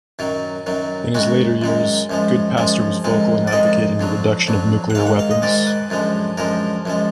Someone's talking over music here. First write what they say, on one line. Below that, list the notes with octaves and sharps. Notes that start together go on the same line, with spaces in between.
In his later years, Goodpaster was vocal in advocating the reduction of nuclear weapons.
F#2 D#3 F#3
F#2 D#3 F#3
F#2 D#3 G#3 F#4
F#2 D#3 G#3
F#2 F3 G#3
F#2 F3 G#3
F2 D#3 G#3
D5
F2 D#3 G#3 D#5
F2 D3 F#3
F2 D3 F#3
F#5
G#2 D#3 G#3 F5
F#5
F5
D#5
G#2 D#3 G#3 D5
B4
F#2 D3 F3 G#3
F#2 D3 F3 G#3 A#4
F#2 F3 G#3